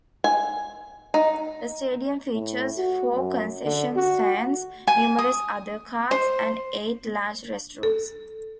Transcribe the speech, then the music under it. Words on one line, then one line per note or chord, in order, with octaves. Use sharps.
The stadium features four concession stands, numerous other carts, and eight large restrooms.
G#5
D#4
A2
F#4
F#2
D3
F#4
G#5
D#6
C5
A4